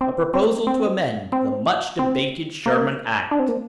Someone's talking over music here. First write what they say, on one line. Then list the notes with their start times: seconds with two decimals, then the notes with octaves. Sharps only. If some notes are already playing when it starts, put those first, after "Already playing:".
A proposal to amend the much-debated Sherman Act.
0.01 C4
0.34 C4
0.67 C4
1.32 C4
1.99 C4
2.66 A#3
3.31 D4
3.39 C4
3.48 A#3